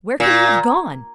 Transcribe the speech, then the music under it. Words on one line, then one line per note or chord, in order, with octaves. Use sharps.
Where can he have gone?
A#2